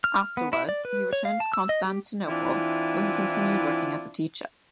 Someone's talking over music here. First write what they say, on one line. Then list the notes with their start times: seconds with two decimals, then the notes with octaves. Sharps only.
Afterwards he returned to Constantinople, where he continued working as a teacher.
0.04 F6
0.37 B3
0.53 E4
0.69 D5
0.85 B4
1.13 C#5
1.25 F5
1.40 A5
1.54 E6
1.69 D#5
1.85 G4
2.28 E3 C4 D4 E4 F4